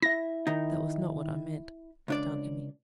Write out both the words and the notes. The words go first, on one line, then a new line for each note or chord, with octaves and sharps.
"That was not what I meant," said Aunt Emmy.
E4 E5 A#6
D#3 D#4
C#2 D4 D5